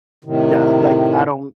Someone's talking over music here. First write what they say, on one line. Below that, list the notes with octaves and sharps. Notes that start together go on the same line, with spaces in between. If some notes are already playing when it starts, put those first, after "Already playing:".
yeah, like, I don't
A2 C3 D#3